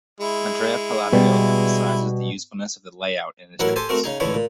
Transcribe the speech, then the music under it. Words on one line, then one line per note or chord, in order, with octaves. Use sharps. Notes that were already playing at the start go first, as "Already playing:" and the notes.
Andrea Palladio emphasises the usefulness of the lay-out in his treatise.
G#3 E4
B2 G3
A1 F#3 E4 A#4 F#5
G4 A4 C5 G#5
A3 C4 F#4 A#4
C#3 D#4 G#4
C#2 A2 D3 E3 E4 C#5
A#2